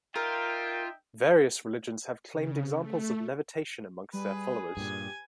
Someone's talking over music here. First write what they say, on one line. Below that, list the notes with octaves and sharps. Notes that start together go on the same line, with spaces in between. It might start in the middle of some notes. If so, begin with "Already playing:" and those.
Various religions have claimed examples of levitation amongst their followers.
D#4 F4 A#4 E5 G5
C#3
A3
G3 G#4 B4
G2 A#2 G4 G#5